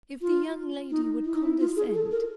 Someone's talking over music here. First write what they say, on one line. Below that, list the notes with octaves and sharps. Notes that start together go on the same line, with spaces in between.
If the young lady would condescent!
F4
D#4
E4
D#4
E4
F4
G#4
A4
A#4